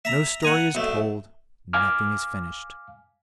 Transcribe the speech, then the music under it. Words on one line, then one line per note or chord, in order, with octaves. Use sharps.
No story is told, nothing is finished.
E5 A#5
F#5 G#5 A#5
B1 A3
F5 G#5 D6 F6